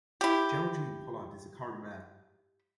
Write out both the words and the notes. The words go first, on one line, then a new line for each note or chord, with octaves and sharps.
Gerald Gene Pollard is the current mayor.
E4 G4